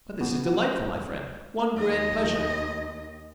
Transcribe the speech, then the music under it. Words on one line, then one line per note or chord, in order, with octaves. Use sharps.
But this is delightful, my friend--one grand pleasure!
B3
D#2 D#5